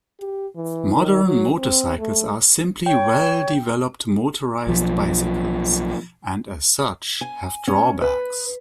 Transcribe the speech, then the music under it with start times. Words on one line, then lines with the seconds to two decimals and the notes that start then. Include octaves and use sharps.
Modern motorcycles are simply well-developed motorized bicycles, and as such have drawbacks.
0.20 G4
0.56 E3
0.93 D#3
1.24 F#3
1.59 C4
1.98 A3
2.86 C#5 G5
4.67 B1 F3
7.21 G#5
7.67 C#4
8.02 B4